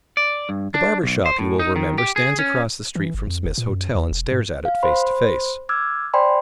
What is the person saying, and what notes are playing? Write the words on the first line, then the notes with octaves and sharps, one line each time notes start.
The barber shop, you will remember, stands across the street from Smith's Hotel, and stares at it face to face.
D5
G2
D4
B1
C5
A2
D#4
D#3
G4
G#4
C#4
E3
G1
F2
F1
A#2
F#2
E2
E1
G#2
F5
C5 B5 C6
D6 E6 F6 G#6
C5 D5 G5 G#5 B5 C6